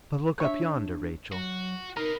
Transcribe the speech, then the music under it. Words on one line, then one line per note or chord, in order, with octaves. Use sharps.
But look up yonder, Rachael!
D4 C#5 E5
F#3 F#4
D#4 A#4 B4 D#5